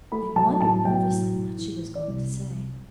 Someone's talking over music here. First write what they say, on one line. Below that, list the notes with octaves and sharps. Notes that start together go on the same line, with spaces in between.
They wondered nervously what she was going to say.
A3 B5
F#3 A5
A2 A5
F#3 G5
A2
A2
E3
E3
D5
C2